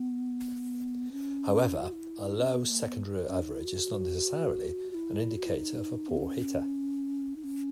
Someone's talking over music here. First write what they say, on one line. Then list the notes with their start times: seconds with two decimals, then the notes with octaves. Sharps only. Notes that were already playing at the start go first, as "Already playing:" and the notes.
However, a low secondary average is not necessarily an indicator of a poor hitter.
Already playing: B3
1.12 C#4
1.74 E4
1.83 F#4
1.92 E4
2.38 C#4
2.53 B3
2.70 A#3
2.85 B3
3.30 C#4
3.41 D#4
3.53 E4
3.65 F#4
4.91 F#4
4.95 E4
5.38 F#4
5.46 E4
5.54 D#4
6.09 B3
6.17 D#4
6.22 C#4
7.36 D#4
7.44 C#4